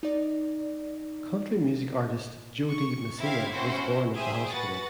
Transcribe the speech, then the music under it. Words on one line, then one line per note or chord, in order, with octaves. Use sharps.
Country music artist Jo Dee Messina was born at the hospital.
D#4 D5
C#6
C4 E4 G4 F5 G#6 B6
C#4 E4 F#4 C5
G4 G#4 C5 E5
F#4 B4 F#5 A6